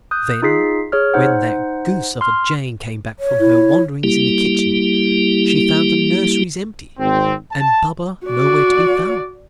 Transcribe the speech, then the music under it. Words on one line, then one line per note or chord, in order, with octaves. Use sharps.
Then, when that goose of a Jane came back from her wanderings in the kitchen, she found the nurseries empty, and Baba nowhere to be found.
D#6 F#6 G6
D#4 F4 G#4 B6 C7
G#4 C#5 F6
D#4 C5 F#5
C6 F6
C#5
E4
G3 A#3 E4 G4
G#1 C4
A5
F#4 D5